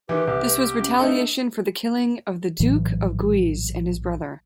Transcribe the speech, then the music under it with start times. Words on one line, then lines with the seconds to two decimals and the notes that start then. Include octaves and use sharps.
This was retaliation for the killing of the Duke of Guise and his brother.
0.09 D#3 E3 G4 B4
0.27 C2 G4
0.80 C#4
1.00 A3 B3 D4 D#4
2.60 A#1 A2 E3 F#3